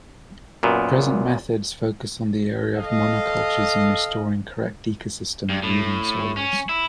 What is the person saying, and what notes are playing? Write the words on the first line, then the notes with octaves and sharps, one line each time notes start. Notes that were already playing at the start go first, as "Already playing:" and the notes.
Present methods focus on the area of monocultures and restoring correct ecosystems using soils.
F#2 A#2 B3
A4 D#5 F5
G2
A2
C#4
E4